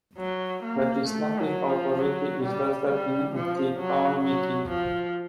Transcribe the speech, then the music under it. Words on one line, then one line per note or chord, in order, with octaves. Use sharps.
Legislative authority is vested in the Town Meeting.
F#3
A#3
A3
F#3
F3
F#3
G3
G3
F3
F#3
F#3
F3